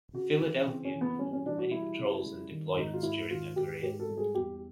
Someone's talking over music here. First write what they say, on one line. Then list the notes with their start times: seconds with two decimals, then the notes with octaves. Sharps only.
"Philadelphia" performed many patrols and deployments during her career.
0.13 C#3 F#4
0.40 E3
0.67 C#3 C4
0.85 C#4
0.94 E3
1.01 B3
1.19 G3 C#4
1.33 C#4
1.46 E3 D4
1.58 F#4
1.71 G3 E4
1.99 C#3
2.24 G3
2.51 D#3
2.77 G#2 D#4
2.94 F4
3.03 G#2 E4
3.31 D#3 F4
3.56 G#2 G4
3.82 G#2 G4
4.00 A4
4.08 G3
4.17 G#4
4.35 E2 G4